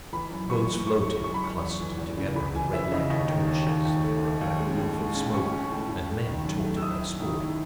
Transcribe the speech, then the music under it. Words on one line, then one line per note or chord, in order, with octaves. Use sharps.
The boats floated, clustered together, in the red light of torches, under a black roof of smoke; and men talked of their sport.
E3 B5
F#2
E3 C#6
E3
A3 C#6
A3
F#2 C#6
B5
F#2 C#6
E2
E3
E2
C#3
E3 B5
E3 G#5
E3 E5
C#3 D#5
D#2 D#5
D#3
D#2
D#2
D#2
A3
A3
D#2
G#3
A2
G#3
C#4
C#4 C#6
C#4
A2
A2
A3
D#3
F#2
A3
E6
E4 D#6
E4
D#3
E4